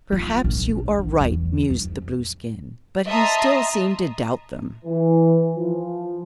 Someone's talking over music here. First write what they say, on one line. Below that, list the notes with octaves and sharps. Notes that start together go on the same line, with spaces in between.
"Perhaps you are right," mused the Blueskin; but he still seemed to doubt them.
F4
A#1
D3
E2
F2
D#5 E5 A5 A#5 C6 D#6
E3
F3